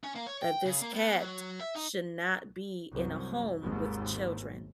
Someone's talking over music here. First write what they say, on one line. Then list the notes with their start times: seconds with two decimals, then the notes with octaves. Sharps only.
that this cat should not be in a home with children
0.04 C#4
0.16 A#3
0.27 C#5
0.42 G5
0.66 C#3
0.81 A#3
0.94 B3
1.20 F#3
1.60 E5
1.76 D#4
2.90 C2 F#2
3.61 G#1 D#2 G#2